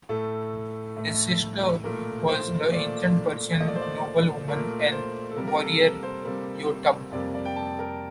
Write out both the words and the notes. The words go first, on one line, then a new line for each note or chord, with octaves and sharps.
His sister was the ancient Persian noblewoman and warrior Youtab.
A2 A3 A4
A2 A3
A#2 A3 A#4
C5
A#2 A3 D5
A#2 A3 D#5
D5
C5
D5
A#2 A3 A#4
C5
A4
C3 G3 A#3 A#4
A#4
A4
A#4
C5
C3 G3 A#3
F2 C3 G3 A#3 D5
D5
G5
A5
A#4